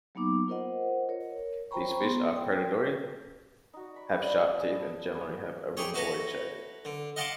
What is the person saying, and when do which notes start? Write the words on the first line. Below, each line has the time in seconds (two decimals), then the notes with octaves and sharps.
These fish are predatory, have sharp teeth and generally have a rhomboid shape.
0.15 F#3 A#3 B3 D#4 D6
0.48 F4 A#4 C5 D#5 F#5
1.09 A#4 C#5
1.71 F4 C5 G5 A#5 B5 C#6
2.00 B3 C6
2.36 G5
3.73 D#4 F#4
3.94 D5 B5 C#6
4.12 G3 D4 E4
4.59 D4 G#4 D#6
4.79 E5 A5
5.14 B3 G#4 D#5
5.77 G4 G#4 C#5
5.94 E4 F#4 A4 B4 A#5
6.85 D3
7.16 D#5 F5 F#5 A5 C6 D6